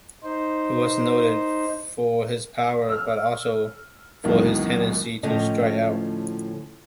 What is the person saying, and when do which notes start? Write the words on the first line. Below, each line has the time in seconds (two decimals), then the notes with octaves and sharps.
He was noted for his power, but also for his tendency to strike out.
0.23 D#4 C5
2.89 E6 F6
4.23 C#2 F#2 B2 D#3 E3 A#3
5.23 A2 D3 F3 A3 C#4 D#5